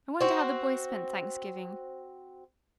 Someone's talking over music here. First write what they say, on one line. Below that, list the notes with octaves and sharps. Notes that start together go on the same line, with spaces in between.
I wonder how the boys spent Thanksgiving.
C4 F#4